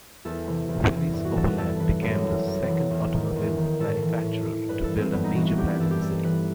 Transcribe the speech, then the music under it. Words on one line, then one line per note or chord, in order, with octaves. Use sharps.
Willys-Overland became the second automobile manufacturer to build a major plant in the city.
E2 A4
C3 E3
E2
C3
E3
G2
F#4
E3 A4
B4
G2 A4
E3 B4
F#2 A4
E3
F#2
E3
E2
D#3
E2
D#3
A2 A4
E3
A2
E3
G2 B4
A4
E3
C4
G2 B3
D#4
E3 F#4
F#4
G2 G4
B4
E3 A4
G4
G2 A4
E3 B4